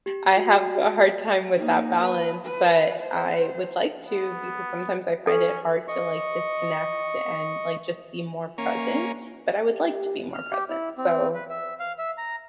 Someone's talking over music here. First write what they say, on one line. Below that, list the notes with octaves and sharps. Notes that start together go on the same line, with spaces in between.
I have a hard time with that balance, but I would like to because sometimes I find it hard to, like, disconnect and, like, just be more present, but I would like to be more present. So,
G4
F#4
A#3 D#4
B4
B4
C5
B3
C#4 A4
D#5 C#6
A#3 C#4
G4
F6
G4
E4
C4
B4
E5
F5
E5
A#5